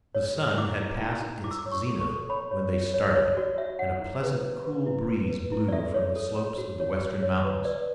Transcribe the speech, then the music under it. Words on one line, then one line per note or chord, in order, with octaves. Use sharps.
The sun had passed its zenith when they started and a pleasant, cool breeze blew from the slopes of the western mountains.
C#5
A4
E4 D6
E4
E4
E4
E4 D6
E6
D6
C#5
C#6
A4
C#6
A4
C#5 B5
C#5
C#5
C#5
C#5
F#4 D5
C#5 E5
C#5 F#5
E4
B4
E4
B4
E4
B4
B4
E4
D5
A4 E5
C#5
A4
C#5
F#4
C#5
F#4
C#5
B4
B4 D5